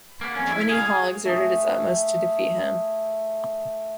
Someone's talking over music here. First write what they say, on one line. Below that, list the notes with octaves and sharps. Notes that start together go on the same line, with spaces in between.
Tammany Hall exerted its utmost to defeat him.
A#3 B3
F2 C#4
E4
G#4 F5
G#4
A3 G#4